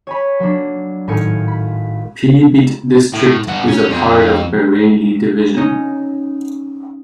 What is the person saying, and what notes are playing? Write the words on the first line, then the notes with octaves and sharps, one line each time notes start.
Pilibhit district is a part of Bareilly Division.
C#5 G#5 B5
F#3 A#3 D4
G#1 A2 F5 G#5 C#7
B5
A2
G2 F#5
C#4
F2
C#4 D#4